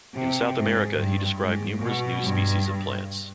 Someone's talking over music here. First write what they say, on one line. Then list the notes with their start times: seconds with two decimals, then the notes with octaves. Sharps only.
In South America he described numerous new species of plants.
0.15 C3
0.57 G#2
0.98 G2
1.41 G#2
1.82 B2
2.23 G2